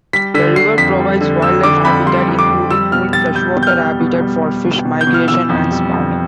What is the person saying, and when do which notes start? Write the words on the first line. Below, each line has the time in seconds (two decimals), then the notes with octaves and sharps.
The river provides wildlife habitat including cold freshwater habitat for fish migration and spawning.
0.13 G3 B6
0.34 D3 B6
0.56 D3 C7
0.78 F2 B6
0.99 G3
1.21 D3
1.42 F2 E6
1.63 D3 D6
1.85 F2 B5
2.06 G3 C6
2.28 F2
2.39 D6
2.49 F2
2.71 G3 E6
2.92 B2 F6
3.13 G3 A6
3.35 G3 G6
3.56 B2
3.63 G6
3.67 F6
3.78 G3
4.00 B2
4.21 G3
4.42 G3
4.64 B2
4.85 B2
5.01 G6
5.07 B2
5.14 F6
5.28 E3 E6
5.49 F2
5.71 G3
5.93 F2